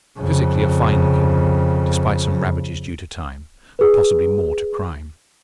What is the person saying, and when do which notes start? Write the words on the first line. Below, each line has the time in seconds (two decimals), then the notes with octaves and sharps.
Physically a fine-looking woman, despite some ravages due to time, and possibly more to crime.
0.19 F2 C#3
3.79 G#4 B4